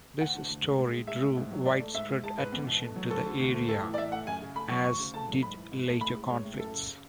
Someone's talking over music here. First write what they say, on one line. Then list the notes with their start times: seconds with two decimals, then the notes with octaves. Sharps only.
This story drew widespread attention to the area, as did later conflicts.
0.20 D2 F#5
0.35 D3
0.49 D2
0.64 G#3
0.78 A2
0.93 G#3
1.07 G#3 E5
1.22 A2
1.36 G#2
1.51 F#3
1.66 G#2 D5
1.80 A3
1.94 G#2 E5
2.09 G#3
2.24 G#3 A5
2.38 G#2 B4
2.52 E2
2.67 B2
2.81 A3
2.96 F#3
3.10 D2 A4
3.25 D3
3.40 D2
3.54 A3
3.69 A2 A4
3.83 E3
3.94 D5
3.98 A2 E5
4.12 A3 F#5
4.27 F#2 G#5
4.41 C#3
4.55 A3 B5
4.70 F#3 C#6
4.84 D2 C#6
4.99 C#3
5.14 A3 A5
5.28 F#3
5.43 G#2 B5
5.57 E3
5.72 G#2
5.86 A3
6.01 A2 B5
6.15 G#3
6.30 G#3 C#5
6.45 A2
6.59 F#2 A4
6.73 C#3